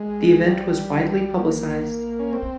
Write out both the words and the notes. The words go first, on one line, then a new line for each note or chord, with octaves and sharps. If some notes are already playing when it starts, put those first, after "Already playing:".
The event was widely publicized.
Already playing: G#3
G3
A#3
C#4
C4